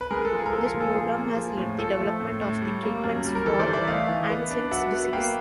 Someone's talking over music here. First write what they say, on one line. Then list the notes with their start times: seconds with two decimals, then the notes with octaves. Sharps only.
This Program has led the development of the treatments for Hansen's Disease.
0.01 B4
0.11 G#3 G#4 A#4
0.25 A4
0.32 F3
0.38 G#4
0.46 A#4
0.52 F3 A4
0.66 G#4 A#4
0.74 A#2
0.81 A4
0.94 F3 G#4
1.15 A#3
1.36 F3
1.57 A2
1.78 F3 A4
1.99 A3
2.20 A2
2.41 A2
2.62 G3
2.83 A#3
3.04 F#2
3.25 G3
3.35 A#4
3.46 E3 A4
3.59 C5 D5
3.66 E3
3.73 D5 E5
3.87 A3 D#5 F5
4.08 E3
4.30 B3
4.51 D4
4.71 F#3 E5 F#5
4.92 B3
5.13 A#3 F5 G5